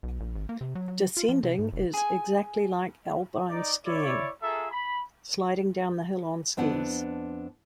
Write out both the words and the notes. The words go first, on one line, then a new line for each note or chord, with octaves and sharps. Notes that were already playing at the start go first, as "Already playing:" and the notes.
Descending is exactly like alpine skiing: sliding down the hill on skis.
B1
A#1
G#1
A#3
C3
F#3
F#3
F4
F3
C3
G#2
F1
G#4 G#5
D#4 D5
E4 C#5 D5
A#3 F4 G#4 A4 E5 A#5
B5
F2 B3 D4 F#5